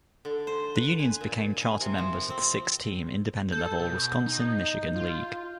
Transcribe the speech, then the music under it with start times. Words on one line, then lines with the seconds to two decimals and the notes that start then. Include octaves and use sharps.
The Unions became charter members of the six–team Independent level Wisconsin–Michigan League.
0.25 D3
0.47 C5
0.75 B4
0.99 G#5
1.21 A#2
1.61 G#5
1.81 C3
1.98 F3
2.30 C4
3.52 A4 G6
3.80 B2
4.26 D#4
4.96 F4